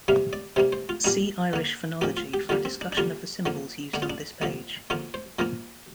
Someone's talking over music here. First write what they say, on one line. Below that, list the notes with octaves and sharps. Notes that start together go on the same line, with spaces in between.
See Irish phonology for a discussion of the symbols used on this page.
C3 G3 A#3 F5
D5
C3 G3 A#3 C5
C5
F4
A#2 G3 A#3 D4
D3 A#3
A#2 F3 A#3 G4
F4
G4
D3 G3 A#3 F4
C4
D4
D4
D3 G3 A#3 F4
D3 F3 A#3
D3 A#3 D4
F4
D4
D3 F3 A#3
D3 F3 A#3 F4
C5
A#2 F3 A#3 A#4